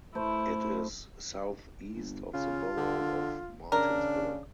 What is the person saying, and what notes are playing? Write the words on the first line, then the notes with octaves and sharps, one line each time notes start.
It is southeast of the borough of Martinsburg.
A3 E4 C5
G1
C#3 F4
D3
C#3 D4 A#4